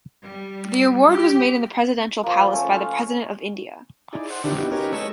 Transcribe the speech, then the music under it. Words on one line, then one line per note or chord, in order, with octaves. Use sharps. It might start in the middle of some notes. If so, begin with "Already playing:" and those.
The award was made in the Presidential Palace by the President of India.
G3
G4
F3 A#3
A3 C#4
F5
D#4 E4 G#4 D5
C5 F#5
D3 D#3 D4 E4 G4
B3 D#4 E4 F#4 G4
C#4 D#4 G4 A#4 B4 C#5
G#3 A4 D#5 C#6 E6